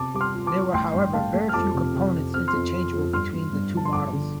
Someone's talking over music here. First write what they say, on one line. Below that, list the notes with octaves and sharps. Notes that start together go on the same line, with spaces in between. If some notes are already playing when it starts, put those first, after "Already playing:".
There were however very few components interchangeable between the two models.
Already playing: C3 A5 D6
G3 D6
C6 F6
F4
A5 D6
G3
A1 G5 C6
G2
A3 F5 A5
A3
F6
F2 A5 D6
C3
C3
F2
C4 F6
C6 F6
F2
C4
F2
G2 C6 F6
G2
G2
F3 A5
C6
G1 A5 D6
D3